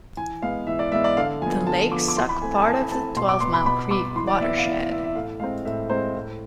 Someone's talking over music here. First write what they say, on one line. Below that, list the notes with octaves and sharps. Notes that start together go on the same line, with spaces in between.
The lakes suck part of the Twelve Mile Creek watershed.
E3 G#5
G#3 B3 F5
E3 E5
D5
G#3 B3 E5
D5
D3 F5
F3 B3 G#5
D3 A5
F3 B3 D6
D6
E3 C6
B5
A3 C4 G#5
A5
G#5
E3 A5
A3 C4 A5
B2 C6
D6
B3 C6
B5
B2 B5
B3 D6
E3 C6
D5
B3 E5
F5
E3 E5
F5
B3 E5
E5
A2 F5
G#3 C4 F5
A2 E5
G#3 C4 C5
A2